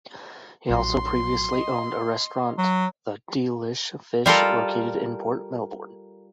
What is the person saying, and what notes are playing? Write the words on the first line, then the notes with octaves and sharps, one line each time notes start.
He also previously owned a restaurant, the "D'lish Fish" located in Port Melbourne.
A#1 A2 F#3 C6
D#5
F#3
G3 F4 A4 A#4